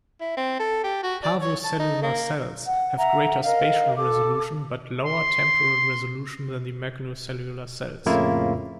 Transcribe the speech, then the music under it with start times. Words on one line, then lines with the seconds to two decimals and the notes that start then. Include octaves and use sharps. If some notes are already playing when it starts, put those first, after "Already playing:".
Parvocellular cells have greater spatial resolution, but lower temporal resolution, than the magnocellular cells.
0.21 E4
0.37 C4
0.60 A4
0.84 G4
1.04 F#4
1.23 D5
1.41 C#5
1.64 A5
1.79 D#4
2.03 A#3
2.67 F#5
2.97 E5 F#5 A#5
3.44 A#4 D#5 F5
3.96 A4 D6
5.05 C6
8.06 F2 A2 C#3 A#3 E4 F4